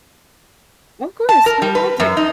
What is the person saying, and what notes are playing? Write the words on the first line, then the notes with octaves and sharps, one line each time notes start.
O of course, we all do.
A5
A#4
G3
B4
F#2
D#4